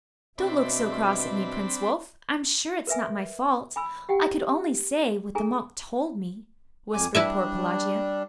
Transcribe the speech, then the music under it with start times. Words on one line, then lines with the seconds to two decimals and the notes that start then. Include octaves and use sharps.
'Don't look so cross at me, Prince Wulf; I'm sure it's not my fault; I could only say what the monk told me,' whispered poor Pelagia.
0.38 B2 C4 D4 E5 B5
2.87 A#4 B4 E5 G#5
3.76 G#5 B5 E6
4.09 G4 F#5 G5
5.35 D4 G#4 A4 G#5 A#5
6.93 F2 G#5 D6
7.15 G3 D4 E4 B4 E5